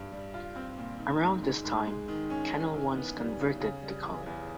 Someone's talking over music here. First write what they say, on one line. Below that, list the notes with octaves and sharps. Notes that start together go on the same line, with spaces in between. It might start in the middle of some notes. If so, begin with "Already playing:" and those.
Around this time, Canal Once converted to color.
Already playing: G2
G3
F4
C4
A#2
D#3
G#2
G#3
G#2
G#3
D#3
C#4
D#3
E3
B3
G3
C#3
C#3
G3
E3
E2